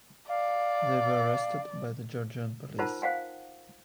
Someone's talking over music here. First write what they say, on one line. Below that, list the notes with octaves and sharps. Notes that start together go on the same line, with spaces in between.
They were arrested by the Georgian police.
D5 F5
D#4 F4 A#4 C5 F#5 A5
C5 F5 F#5 G#5